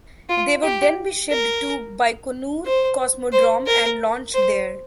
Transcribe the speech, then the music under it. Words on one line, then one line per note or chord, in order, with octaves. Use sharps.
They would then be shipped to Baikonur Cosmodrome and launched there.
F4
G4
A#4
C5
C5
A#4
C5